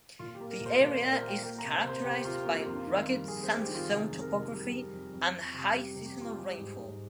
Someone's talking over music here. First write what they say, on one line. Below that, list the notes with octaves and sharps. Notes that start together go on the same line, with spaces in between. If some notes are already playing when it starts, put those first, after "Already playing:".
The area is characterised by rugged sandstone topography and high seasonal rainfall.
A#2 F4
G4
A#3
A#4
A#2
C5
A#2 D5
C5
A#3
A#4
A#3
G5
A#3 G5
A#5
C3
C5
C3 C5
C3 G4
C3 F4
A#3 F4
G4
F2 F4
D#3
G3
F2 G#4
C5
G3
G4
D#3
F4
C3 G#4
F2
A#4
C3
G3
G3
F2
F2
F2
C3
G3 G4
C3
G4
G3
F4
G#3 G4
G#2
G#2